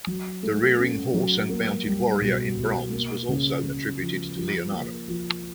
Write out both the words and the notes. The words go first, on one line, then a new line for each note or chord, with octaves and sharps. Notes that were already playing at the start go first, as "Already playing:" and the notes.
The Rearing Horse and Mounted Warrior in bronze was also attributed to Leonardo.
F#3
A3
C#4
F#3
A#3
G3
B2
B2
A#3
C#3
C#3
F3
F3
A#3
F3